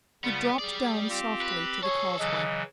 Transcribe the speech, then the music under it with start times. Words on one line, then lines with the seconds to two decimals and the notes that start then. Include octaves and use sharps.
He dropped down softly to the causeway.
0.24 C#3 G3 B3 F4
0.59 G3 G#4 D5
1.09 C4 F4 G4
1.42 B4
1.83 G#4 A4 C#5
2.19 C#3 E3 F#3 D#5